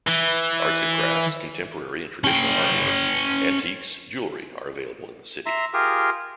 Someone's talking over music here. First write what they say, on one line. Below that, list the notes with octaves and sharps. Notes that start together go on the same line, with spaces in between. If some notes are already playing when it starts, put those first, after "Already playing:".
Art and crafts, contemporary and traditional artwork, antiques, jewellery are available in the city.
E3
C#4 G5
E5 A#5 C6
F4 G4 G#4 A#4